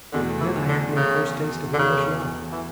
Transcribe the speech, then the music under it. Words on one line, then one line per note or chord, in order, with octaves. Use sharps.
And then I had my first taste of English life.
E2 B2 D3 A3
E3
D3
C#3
D3
C#3
E3